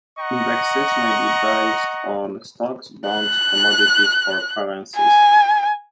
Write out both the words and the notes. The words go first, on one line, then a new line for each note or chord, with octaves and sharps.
Indexes may be based on stocks, bonds, commodities, or currencies.
D#5 F#5 A#5 C#6
F#6
G#5